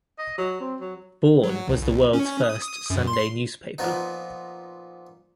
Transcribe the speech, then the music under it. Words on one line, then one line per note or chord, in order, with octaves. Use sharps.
Bourne, was the world's first Sunday newspaper.
D#5
F#3
C4
F#3
F#3
C#2
C2
C#4
D#6
D#6
F#2
C6
A#2 F3 B3 D#4